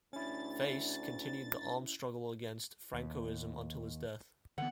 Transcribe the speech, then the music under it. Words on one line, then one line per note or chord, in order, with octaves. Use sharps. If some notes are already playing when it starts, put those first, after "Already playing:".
"Face" continued the armed struggle against Francoism until his death.
D2 C#4 D4 E4 A6
D#2
D3 E3 B3 F#5